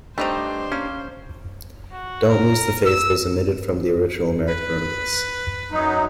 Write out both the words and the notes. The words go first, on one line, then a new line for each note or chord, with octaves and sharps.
"Don't Lose The Faith" was omitted from the original American release.
A3 C4 D4 D#4 G4 B4 C5 A#5
A#3 C#4
F#4
A#4
E6
B4
F#2 F#3 D#4